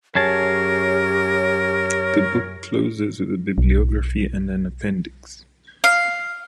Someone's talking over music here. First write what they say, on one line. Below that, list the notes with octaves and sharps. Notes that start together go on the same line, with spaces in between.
The book closes with a bibliography and an appendix.
F#2 G4 G#4 A#4 C#5 A5
B1
F5